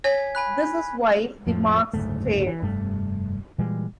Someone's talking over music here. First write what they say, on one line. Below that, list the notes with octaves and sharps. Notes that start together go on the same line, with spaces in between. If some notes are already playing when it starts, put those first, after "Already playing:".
This is why the marks fade.
C#5 G#5 G#6 B6
G#5 B5 F#6
F2 A2 F3
F#1 D2 G#2 A3
E3
F1 G2 G3 A3
A#2 E3 G3 G#3